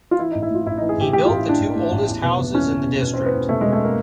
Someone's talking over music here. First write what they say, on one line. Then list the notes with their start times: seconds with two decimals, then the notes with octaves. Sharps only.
He built the two oldest houses in the district.
0.11 F4
0.19 E3 E4
0.31 A1 D#4
0.42 E4
0.51 A2 F4
0.66 A1 E4
0.78 E3 D#4
0.89 G#4
0.98 A1 G4
1.13 A2 G4
1.25 A1 F4
1.37 E4
1.45 E3 D4
1.60 A1
1.76 A2
1.92 A1
2.08 E2
2.23 B2
2.39 B2
2.54 E2 C#4
2.70 E2
2.86 B2
3.02 B2
3.14 E2 C4
3.26 B3
3.34 E2
3.49 B2 A3
3.61 B2 G#3
3.73 A3
3.84 A#3